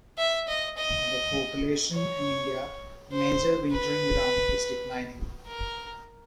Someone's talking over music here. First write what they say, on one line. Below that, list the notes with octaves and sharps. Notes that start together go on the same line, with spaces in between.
The population in India-a major wintering ground-is declining.
E5
D#5
D#5
C#5
C5
B4
A#4